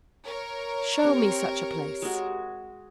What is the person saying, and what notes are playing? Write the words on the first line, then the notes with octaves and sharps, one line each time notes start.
"Show me such a place!"
A#4 C#5
C4 G4
G#3 F#4